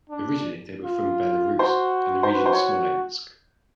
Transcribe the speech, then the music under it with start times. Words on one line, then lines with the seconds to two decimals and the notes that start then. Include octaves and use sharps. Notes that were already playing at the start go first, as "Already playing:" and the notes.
Originally they were from Belarus and the region of Smolensk.
0.10 D4
0.84 F4
1.59 F#4 C5
2.23 C5
2.34 F#4 B4
2.46 C5
2.53 C#5